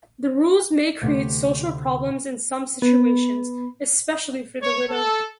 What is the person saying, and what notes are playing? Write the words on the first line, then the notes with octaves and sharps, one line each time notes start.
The rules may create social problems in some situations, especially for the widow.
D2 C3
B3
C#5
A4